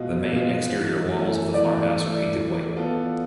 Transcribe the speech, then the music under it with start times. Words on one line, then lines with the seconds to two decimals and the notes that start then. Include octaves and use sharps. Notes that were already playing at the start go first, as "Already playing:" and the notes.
The main exterior walls of the farmhouse are painted white.
Already playing: B2 G#3 B3 F4
0.30 G#3 B3 F4
0.71 E3
1.13 A3 E4
1.54 E3 D5
1.94 A3 E4
2.35 E3
2.77 B3 F4 A4